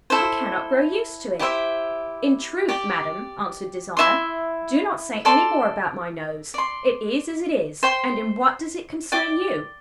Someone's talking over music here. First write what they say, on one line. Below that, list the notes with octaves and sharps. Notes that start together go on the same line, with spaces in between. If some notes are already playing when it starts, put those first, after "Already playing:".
I cannot grow used to it." "In truth, madam," answered Desire, "do not say any more about my nose; it is as it is, and in what does it concern you?
E4 A4 C5
E4 G4 C5 E5
G4 D5 G5
E4 A4 E5 C6
A4 D5 A5 C6
D5 C6
C5 G5 C6
D5 G5 D6